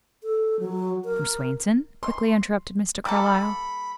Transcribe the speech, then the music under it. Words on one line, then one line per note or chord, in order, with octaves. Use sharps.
"From Swainson?" quickly interrupted Mr. Carlyle.
A4
F#3
A#4
C6
G3 A#3 A4 B5